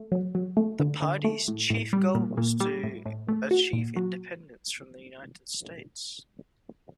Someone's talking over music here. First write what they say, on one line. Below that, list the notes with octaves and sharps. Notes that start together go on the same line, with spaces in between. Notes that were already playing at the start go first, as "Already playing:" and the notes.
The party's chief goal was to achieve independence from the United States.
Already playing: A3
F#3
F#3
A3
D3
D3
A3
A2
A2
G3
A#2
A#2
G3
A2
A2
A3
F#4
A#2
F#3